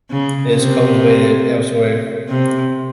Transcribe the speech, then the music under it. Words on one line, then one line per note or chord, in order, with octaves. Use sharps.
It is cultivated elsewhere.
C#3
C3
C3